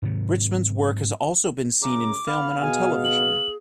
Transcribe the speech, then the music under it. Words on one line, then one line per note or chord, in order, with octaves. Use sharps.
Richmond's work has also been seen in film and on television.
G#2 C3 D#3 F#3
F#2 C#3 A#5 D6
B3 F5 B5
B2 G#4 G#5
F#7